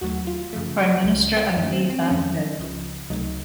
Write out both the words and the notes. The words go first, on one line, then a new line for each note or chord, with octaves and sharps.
Prime Minister Abiy Ahmed.
D#2 D#3 F#3 A3 F#4
F4
F#2 C#3 F3 A3
C#2 C#3 A3
F#2 D#3 A3 C#4
C4
C4
C4
F2 D#3 F#3 A3 C#4
C#2 C#3 F3
C#2 C3 F#3 A3 D#4